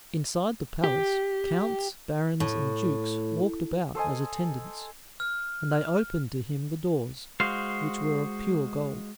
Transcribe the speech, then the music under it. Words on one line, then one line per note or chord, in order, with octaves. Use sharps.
Inside the palace, counts, barons, and dukes walked about as attendants, and they opened to him the doors, which were of pure gold.
G4
A2
A4 C5 D#5 G#5
F6
G#3 F#4 C5 F5